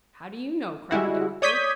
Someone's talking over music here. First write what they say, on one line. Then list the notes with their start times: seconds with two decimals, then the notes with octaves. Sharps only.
"How do you know?" cried the doctor.
0.91 G3 G#3 E4 F#4
1.42 C#5 D5 D#6 G6 G#6 B6